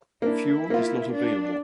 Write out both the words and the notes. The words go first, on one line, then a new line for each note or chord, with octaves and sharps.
Fuel is not available.
A#3 D4 E4
A#3 F4
D4